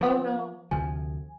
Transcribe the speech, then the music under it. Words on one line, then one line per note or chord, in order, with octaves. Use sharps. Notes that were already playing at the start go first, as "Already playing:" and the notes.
Oh, no.
F3
D2 C3 F3 G#5